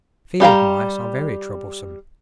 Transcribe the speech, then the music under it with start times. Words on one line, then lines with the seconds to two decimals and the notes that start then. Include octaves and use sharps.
Field mice are very troublesome.
0.40 G3 G4 F5 A#5